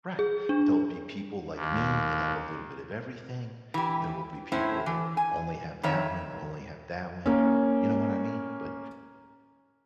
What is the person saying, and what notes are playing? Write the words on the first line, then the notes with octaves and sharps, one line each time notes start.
Right. There'll be people like me that have a little bit of everything. There will be people that only have that one, or only have that one, or, you know what I mean? But
G#4
D4
D#2
E3 G4
A2 A3 C#4 E4 C5
E3
G#5
F2 D#3 C#5 E5
A#3 C#4